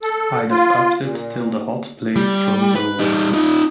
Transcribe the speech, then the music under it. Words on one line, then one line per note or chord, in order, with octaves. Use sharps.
I'd've upped it till the hot place froze over!
A4
F4
A#2
G3
B4
G3 D#4
D#4 F4